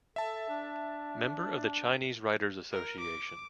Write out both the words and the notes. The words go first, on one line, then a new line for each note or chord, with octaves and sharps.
Member of the Chinese Writers Association.
A4 E5 A5
D4
A#4
D6